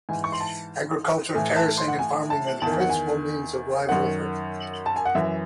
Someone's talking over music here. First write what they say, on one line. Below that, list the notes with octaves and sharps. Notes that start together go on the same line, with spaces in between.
Agricultural terracing and farming are the principal means of livelihood.
G#2 E3 G#5
C#6
C6
A5
A2 E3 G#5
A5
C6
F#5
G#5
A5
E2 D#3 G#5 A5
F#5
G#5
F#2 D#3 F#5
A5
G#5
F#5
F#2 E3 E5